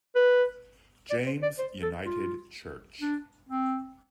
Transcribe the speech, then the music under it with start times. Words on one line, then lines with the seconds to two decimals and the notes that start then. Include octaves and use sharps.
James United Church.
0.16 B4
1.11 D5
1.27 C5
1.43 D5
1.59 C5
1.82 A4
2.06 F4
3.02 D4
3.49 C4